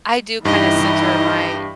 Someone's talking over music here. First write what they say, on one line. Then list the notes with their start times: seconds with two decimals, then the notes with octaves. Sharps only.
I do kinda center my
0.45 G2 E3 D#4 E4 G4 D#5